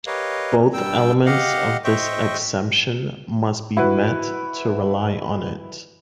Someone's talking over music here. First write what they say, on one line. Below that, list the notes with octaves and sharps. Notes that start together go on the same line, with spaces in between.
Both elements of this exemption must be met to rely on it.
G4 A#4 B4 C#5 D#5 F5
G2 G3 G5 E6
G4 D#5 F5 F#5
C5 D#5 E5 G5 C#6
E4 F#4 B4